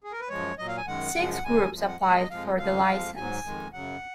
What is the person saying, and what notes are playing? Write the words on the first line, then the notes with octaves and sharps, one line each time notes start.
Six groups applied for the license.
G#4
A#4
B4
F#2 F3 G#3 C#5
A#2 F#3 D#5
F5
G#5
F#2 D#3 G#3 F#5
F#2 C#3 F3 G#3
F#5
D#2 C#3 G#3 G#5
F2 F3 G#3
F#5
A#2 G#3 F#5
D#5
F2 F3 G#3 F5
F2 C#3 F3 G#3 F5
F2 F3 G#3
G#2 F#3 G#5
F2 D#3 G#3
F#2 C#3 F#3 F#5